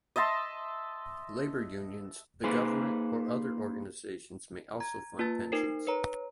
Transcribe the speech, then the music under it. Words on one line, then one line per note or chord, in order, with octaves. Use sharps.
Labor unions, the government, or other organizations may also fund pensions.
D#5 E5 A5 C6
A#3 D#4 G#4 B4 C5 G#5
A#5 G#6
A#3 F4 B4 A5 A6
D#4 A#4 C5 C7
B4 C#5 A#5